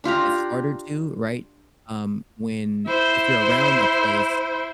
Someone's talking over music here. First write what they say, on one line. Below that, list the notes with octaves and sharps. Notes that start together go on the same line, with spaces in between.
it's harder to, right? Um, when if you're around a place,
D4 F4 G4 A#5
E4 C5